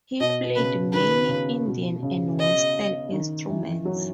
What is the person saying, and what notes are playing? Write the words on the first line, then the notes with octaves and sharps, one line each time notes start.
He played many Indian and Western instruments.
B2 D#5
B2
C#3 B4
D#3 B4
C#3
B2
C#3
D#5
D#3
E3
F#3